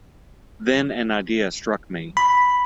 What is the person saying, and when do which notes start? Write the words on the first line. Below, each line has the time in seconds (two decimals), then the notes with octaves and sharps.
Then an idea struck me.
2.17 B5